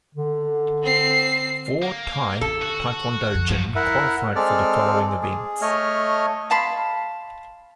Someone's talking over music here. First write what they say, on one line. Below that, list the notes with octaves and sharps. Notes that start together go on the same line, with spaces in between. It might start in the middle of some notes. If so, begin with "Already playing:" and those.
Four Thai taekwondo jin qualified for the following events.
D3
C4 C7
A#3
D3 A4
F#4
F2
G2 F3 F#4
E4 A#4 E5 F#5
G#3 C4 A4 D5 F6
G#4
A3 C#5 D#5 F6
F5 A5 B5 C6